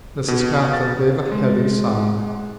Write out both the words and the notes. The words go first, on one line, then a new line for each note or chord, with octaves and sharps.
Mrs. Caplin gave a heavy sigh.
B2
A6
G#3